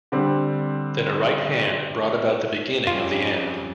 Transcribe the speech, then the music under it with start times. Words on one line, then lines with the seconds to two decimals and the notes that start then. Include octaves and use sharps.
Then a right hand brought about the beginning of the end.
0.12 D3 G3 C4
2.87 F2 G3 C#4 F4 G4